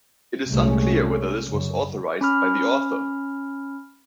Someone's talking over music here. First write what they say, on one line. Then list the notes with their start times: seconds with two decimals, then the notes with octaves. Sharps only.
It is unclear whether this was authorized by the author.
0.48 C2 A#2 G#3 A3 C#4
1.45 F#2 C#3
2.21 C#4 B5 F6